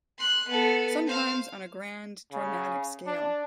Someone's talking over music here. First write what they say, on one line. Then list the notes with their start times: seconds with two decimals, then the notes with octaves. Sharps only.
Sometimes on a grand, dramatic scale.
0.18 C6 F#6
0.48 B3 A4
1.07 C5 F5
2.32 C#3
3.07 D4